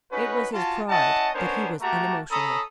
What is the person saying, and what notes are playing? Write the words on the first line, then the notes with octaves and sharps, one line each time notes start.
It was his pride that he was unemotional.
C#4 D#4 F#4 B4
F4 F#4 G#5 A5
C#4 E4 D#5 F#5 A5
B3 C#4 D4 A#4 C5 C#5
A3 A#3 F#4 G4 A5 A#5
C#4 A4 A#5 B5 D#6